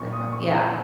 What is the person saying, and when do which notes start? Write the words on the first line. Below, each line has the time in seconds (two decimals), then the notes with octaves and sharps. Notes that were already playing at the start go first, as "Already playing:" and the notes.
The prob yeah.
Already playing: A#2 C#6
0.13 D#6
0.32 C#6